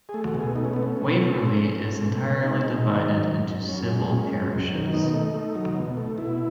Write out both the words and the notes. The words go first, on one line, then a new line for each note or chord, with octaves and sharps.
Waverley is entirely divided into civil parishes.
G#4
A3
F#4
B2
G#4
A3 D#4
C#4
A3 B3
C#4
B2
B3
A3 C#4
A3
A3
A3
B2
B2
G#3 D#4
G#3
D#3
F#2
F#2
F#2
F#2 C#4
G#3
G#3
F#2
F#2
D#3
B2 D#4
A3
A3
F#3
B2
A3
B2 E4